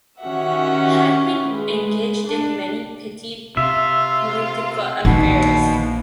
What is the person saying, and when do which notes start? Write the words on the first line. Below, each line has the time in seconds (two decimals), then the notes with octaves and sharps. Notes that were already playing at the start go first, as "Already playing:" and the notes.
Had been engaged in many petty political affairs.
0.22 D#3 C#4 F#4 G4 E5 F#5
1.50 G#3 B4
2.26 D4
3.57 C3 F4 E5
5.05 A#1 B2 D#3